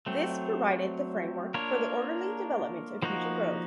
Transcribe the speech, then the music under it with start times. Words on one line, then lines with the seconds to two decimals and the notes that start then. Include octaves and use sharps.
This provided the framework for the orderly development of future growth.
0.06 F#3 A3 C4
1.54 A#3 D4 F4 A#4 C#5
3.02 F3 A#3 D#4 F#4